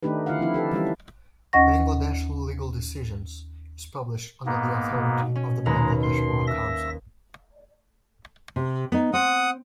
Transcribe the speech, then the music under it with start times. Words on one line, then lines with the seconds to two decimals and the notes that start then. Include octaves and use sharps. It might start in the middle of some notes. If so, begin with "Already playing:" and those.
Bangladesh Legal Decisions is published under the authority of the Bangladesh Bar Council.
0.03 D#3 A3 D4 D#4 G4 B4
0.26 D3 E4 F4 B4 F5 F#5
0.39 F3 C4 E4
0.54 G4 A4 B4
0.73 E3 G3 C#4 G4 E5
1.53 D#2 C#4 D#5 F#5 C#6 A#6
4.46 G#2 A#3 B3
4.96 B2
5.35 C#4
5.66 D#2 G#3 B4 A#5
6.03 C6
6.47 E5 A#6
8.56 C3
8.92 B3 D#4
9.13 C4 F#5 D#6